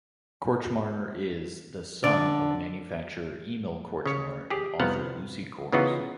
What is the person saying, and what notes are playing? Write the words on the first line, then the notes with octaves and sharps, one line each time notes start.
Kortchmar is the son of manufacturer Emil Kortchmar and author Lucy Cores.
D3 D5
C#3 C#5
G4 G#4
C2 F2 B3 C5 F5 F#5
C#3 E3 B3 D#4 F4 F#4